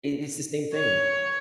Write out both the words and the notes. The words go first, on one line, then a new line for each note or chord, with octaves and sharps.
It it's the same thing.
C#5